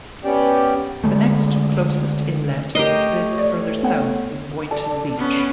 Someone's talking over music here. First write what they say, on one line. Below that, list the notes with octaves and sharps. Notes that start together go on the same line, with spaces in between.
The next closest inlet exists further south in Boynton Beach.
B3 C#4 G4 D5 G5
D3 G#3 A3
A3 G4 A#4 C#5 D#5 C7
D5
B3 F#5 G5
A4 D5 A5
B3 C#4